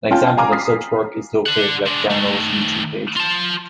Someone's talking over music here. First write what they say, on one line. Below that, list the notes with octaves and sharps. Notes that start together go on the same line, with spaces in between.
An example of such work is located at Garneau's YouTube page.
C#4 F4 G5 A5
F5 G#5 A#5 D6 F6
D#6 B6 C7
D4 F#5
G#3 D4
D#3 A3
F4 A5